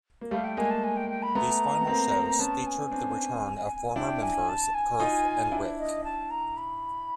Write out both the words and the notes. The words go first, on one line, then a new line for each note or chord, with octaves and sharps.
These final shows featured the return of former members Kurf and Rick.
A#3
G3 A3 F5
G5
G#3 A#3 G#5
A5
G#5
G5
G5
B5
A3 B3 A#5
B3
A#3 C4
B3 C#4 A5
G#5
C4 D4
D4 E4 G5
G#5
A5
G#5
D#4 F4
D4 E4
D#5
A5
A#5
B5